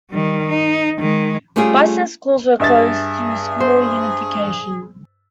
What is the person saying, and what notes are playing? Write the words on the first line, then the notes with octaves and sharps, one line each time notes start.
Bison schools were closed through school unification.
D#3 G3
D#4
D#3 G#3
G3 A3 C#4 F4 G4 G#4
G2 G#4 E5 A6
C5